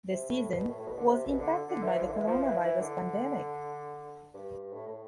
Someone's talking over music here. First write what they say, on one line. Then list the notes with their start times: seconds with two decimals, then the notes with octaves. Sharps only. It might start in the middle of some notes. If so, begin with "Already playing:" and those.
The season was impacted by the coronavirus pandemic.
0.10 C3
0.29 A2
0.49 B2
0.68 A2
0.79 A2
0.87 B2
0.97 D3
1.06 C3
1.25 B2
1.39 D3
1.68 D3
1.83 E3
1.97 F3
2.05 D3
2.12 E3
2.27 F3
2.41 E3
2.60 E3
2.80 D3
4.34 G2
4.52 G2
4.72 A2
4.87 A2